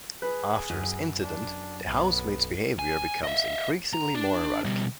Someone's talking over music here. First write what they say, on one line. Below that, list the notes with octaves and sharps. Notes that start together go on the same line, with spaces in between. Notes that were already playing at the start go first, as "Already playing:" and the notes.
After this incident, the housemaid's behavior becomes increasingly more erratic.
G#4 B4
F#2
D4
B1 B3
G#5
D#5 E5
A#5
D4
B2 G3